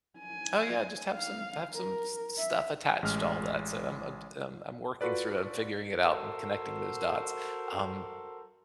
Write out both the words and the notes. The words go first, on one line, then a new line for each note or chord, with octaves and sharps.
oh, yeah, I just have some have some stuff attached to all that, so I'm, I'm I'm I'm working through it I'm figuring it out, I'm connecting those dots. Um,
G#5
F5
A#4
E5
A1 G#3 F6
F4 F#4 A4 B4 D5
F#4 A4 A#4 C5